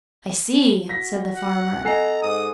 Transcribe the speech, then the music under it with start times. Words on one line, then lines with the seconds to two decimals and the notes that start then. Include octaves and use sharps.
"I see," said the farmer.
0.89 F#4 A#6 B6
1.36 F#5
1.85 A4 D#5 F#5 G#5 A#5 C7
2.22 G#2 D#6